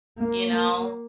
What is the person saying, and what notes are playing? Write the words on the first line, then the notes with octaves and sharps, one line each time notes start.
you know?
A#3
A#3